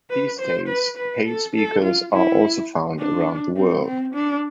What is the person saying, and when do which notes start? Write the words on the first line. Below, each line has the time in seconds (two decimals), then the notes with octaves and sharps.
These days Paite speakers are also found around the world.
0.10 B4
0.40 C5
0.68 B4
0.97 B4
1.26 A4
1.55 A4
1.83 F4
2.13 E4
2.98 D4
3.56 C4
3.85 C4
4.15 D4